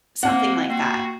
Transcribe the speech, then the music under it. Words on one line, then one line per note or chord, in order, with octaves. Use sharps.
Something like that.
A#3 C4 F#5
A#3 F#4 G5 C7